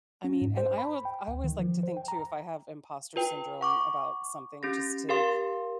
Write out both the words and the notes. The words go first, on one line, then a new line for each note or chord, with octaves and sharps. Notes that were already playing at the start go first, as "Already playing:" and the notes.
I mean, and I would I always like to think, too, if I have impostor syndrome about something, just to
C#4
G#2
C5
B5
G5
D2
D#3
F3
C5
G5
A#5
F4 B4 G5
F#5 C#6 D6
C#4 G4 A#6
G4 A#4 F5 C6